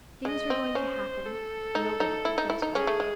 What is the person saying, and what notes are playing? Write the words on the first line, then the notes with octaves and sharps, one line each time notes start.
Things were going to happen, nobody could guess what.
G#3 D#5
C4
C#4 C5
A4
D#4
D#4
E4
D#4
E4
D#4
C#4 G#4
A3
G#3